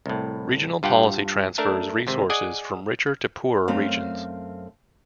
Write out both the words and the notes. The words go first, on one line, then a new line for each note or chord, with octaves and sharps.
Regional policy transfers resources from richer to poorer regions.
C2 A2
G2 F4 G4 F#5 G5
A3 D4 A#4 E5 A5
G#1 C3
G#4 D5 D#5 F#5 G#5
F#2 A3 C4 F5